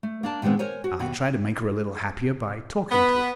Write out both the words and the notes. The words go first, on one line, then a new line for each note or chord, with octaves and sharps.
I tried to make her a little happier by talking to her.
A3
A#3 D4 A5
A#2 D#3 G#3 B3 C4
A#4 C5 C#5 G#5
F#4
D#2 B2 F#4
B3